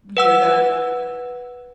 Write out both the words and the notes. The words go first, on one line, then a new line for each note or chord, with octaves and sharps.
year, got
B4 F#5 E6